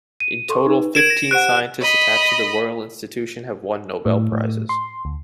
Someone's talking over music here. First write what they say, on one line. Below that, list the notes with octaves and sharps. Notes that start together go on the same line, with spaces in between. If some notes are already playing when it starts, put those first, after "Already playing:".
In total fifteen scientists attached to the Royal Institution have won Nobel Prizes.
D#7
A4 C6 C#6
D#4 B4
A#4 G#6 D7 E7 F#7
A#6
G4 C5 F#5 F#6 D7
D#5 B5
A2
A2
C6
D2